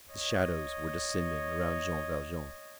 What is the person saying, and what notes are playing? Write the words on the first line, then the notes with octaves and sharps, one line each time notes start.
The shadows were descending around Jean Valjean.
C#5 D#5